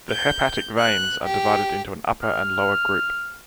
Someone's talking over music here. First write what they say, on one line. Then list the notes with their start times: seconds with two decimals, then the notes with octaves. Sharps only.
The hepatic veins are divided into an upper and a lower group.
0.11 G6
0.79 F#6
1.25 G4
2.22 F6